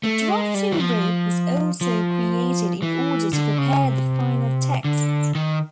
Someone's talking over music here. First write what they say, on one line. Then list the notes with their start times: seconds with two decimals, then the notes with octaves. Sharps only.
A Drafting Group was also created in order to prepare the final texts.
0.03 A3
0.28 G#3
0.54 G3
0.72 E3
0.79 F3
1.81 F3
2.82 E3
3.33 D3
3.58 C#3
3.83 C3
4.84 D3
5.35 D#3